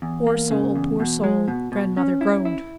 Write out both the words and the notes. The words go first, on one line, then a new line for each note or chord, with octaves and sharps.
"Poor soul, poor soul!" grandmother groaned.
E2
A#3
C#3
E2
B2
G#3
B2
B2
C#4
E4
E4